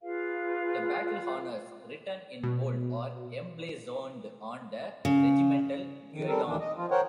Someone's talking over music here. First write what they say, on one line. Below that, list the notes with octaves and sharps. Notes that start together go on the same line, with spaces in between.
The battle honours written in bold are emblazoned on the regimental guidon.
F4 G#4 B4 F5
B2
C#3
F2 D#3
G3 C4 A4 A#4
D#2 D#3 E3 D4
D#5
F3 F4
A#4 C5 C#5 F#5 G5